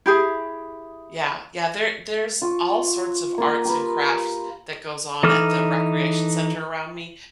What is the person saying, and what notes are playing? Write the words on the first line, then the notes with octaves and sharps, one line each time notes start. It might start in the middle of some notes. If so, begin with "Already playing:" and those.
Yeah, yeah, there there's all sorts of arts and crafts that goes on at the recreation center around me,
E4 G4 G#4
F4 C5 C#6
A#3 F4
G4 A#4 B4
E3 D#4 A4 D6 F6